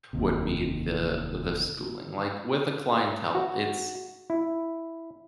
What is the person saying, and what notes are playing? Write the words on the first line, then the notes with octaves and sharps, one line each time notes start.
would be the the schooling. Like, with a clientele, it's
F1 D#2 C3
F#4
E4